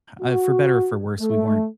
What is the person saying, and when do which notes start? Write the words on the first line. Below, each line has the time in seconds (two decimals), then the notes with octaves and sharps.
uh, for better or for worse, we weren't,
0.21 F#4
1.20 A3